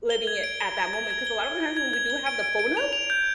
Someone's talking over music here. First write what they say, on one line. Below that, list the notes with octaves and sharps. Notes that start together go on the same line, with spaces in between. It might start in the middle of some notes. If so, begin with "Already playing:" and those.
living it at that moment 'cause a lot of the times when we do have the phone up,
G7
G#6
D7
G7
G#6
G#6
G#6
G7
G7
G#6
G#6
G#6
G7
D7
D7
D7
F7
F7
G6